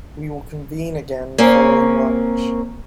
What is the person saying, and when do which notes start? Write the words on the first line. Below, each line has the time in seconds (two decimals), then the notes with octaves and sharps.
We will convene again following lunch.
1.38 A#3 C4 C#4 A#4